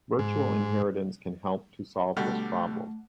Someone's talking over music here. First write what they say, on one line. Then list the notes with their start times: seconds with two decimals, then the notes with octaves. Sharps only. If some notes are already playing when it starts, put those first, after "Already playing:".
Virtual inheritance can help to solve this problem.
0.19 G#2
2.17 B2 D3 G3 A3